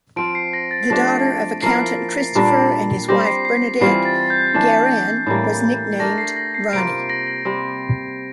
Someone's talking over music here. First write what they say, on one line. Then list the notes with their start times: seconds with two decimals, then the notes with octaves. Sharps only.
The daughter of accountant Christopher and his wife Bernadette, Guerin was nicknamed Ronnie.
0.16 F3 C4 F4 D7
0.35 C7
0.53 A#6
0.71 A6
0.90 F3 A3 D4 G4 A#6
1.62 F3 A#3 E4 A#4 C7
2.35 A#2 G3 D4 A4
3.08 G3 C4 G4 A#6
3.27 C7
3.45 C7
3.81 E3 G3 C4 F4 C7
4.05 A6
4.30 G6
4.54 E3 A3 D4
5.26 A2 E3 G3 A#3
5.99 A3 D4 G4 A#4 A#6
6.18 C7
6.36 A#6
6.54 C7
6.73 C3 G3 A#3 F4 D7
7.10 A#6
7.27 A#6
7.45 C3 G3 C4